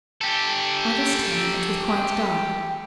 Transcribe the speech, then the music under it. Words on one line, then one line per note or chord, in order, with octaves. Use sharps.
By this time it was quite dark.
G4 A4